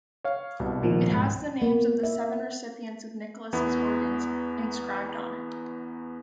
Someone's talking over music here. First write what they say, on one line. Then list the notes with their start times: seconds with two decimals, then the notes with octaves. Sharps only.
It has the names of the seven recipients of Nicholas' organs inscribed on it.
0.24 C#5 F5
0.59 C2 B2
0.82 A#2 D#3 F3
1.12 G#2
1.62 A#3
2.03 E5
3.53 E2 B3 E4